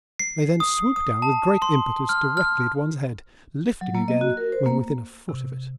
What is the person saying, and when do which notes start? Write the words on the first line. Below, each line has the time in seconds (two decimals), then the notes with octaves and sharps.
They then swoop down with great impetus directly at one's head, lifting again when within a foot of it.
0.19 C7
0.60 D#6
0.96 D#6
1.22 A5
1.62 C6
2.09 F6
2.37 F6
3.81 F#3
3.95 A#3
4.08 D#5
4.21 F#4
4.37 A#4
4.52 C5
4.66 A#3
5.29 C3